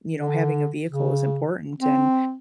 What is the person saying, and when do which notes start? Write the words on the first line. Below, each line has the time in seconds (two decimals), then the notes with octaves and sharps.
you know, having a vehicle is important, and,
0.18 D3
0.90 C#3
1.80 C4